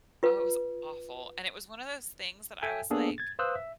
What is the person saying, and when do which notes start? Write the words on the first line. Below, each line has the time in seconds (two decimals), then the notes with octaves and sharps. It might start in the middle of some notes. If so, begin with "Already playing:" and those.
Oh, it was awful, and it was one of those things that I was like,
0.23 F4 B4
2.62 A4 E5 G5 G#5
2.90 A#3 B3 D4 G#4 A4
3.18 G#6 A6
3.39 B4 C5 F5 D#6 E6 F#6
3.56 E5